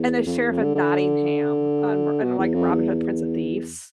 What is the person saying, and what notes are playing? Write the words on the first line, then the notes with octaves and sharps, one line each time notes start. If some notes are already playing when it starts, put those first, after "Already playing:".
and the Sheriff of Nottingham on Ro on, like, Robin Hood: Prince of Thieves.
Already playing: E2
F2
E2
F2
D3
D3
B2
E2
F2
E2